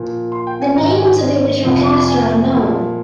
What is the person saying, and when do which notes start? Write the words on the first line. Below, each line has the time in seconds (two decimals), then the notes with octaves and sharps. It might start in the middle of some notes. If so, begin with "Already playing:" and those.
The names of the original cast are unknown.
Already playing: A#2 F3
0.32 C6
0.47 G5
0.62 G#5
0.76 G#2 D#3 A#5
0.98 G#5
1.64 F2 C3 F3
2.08 G#5
2.53 A#2 F3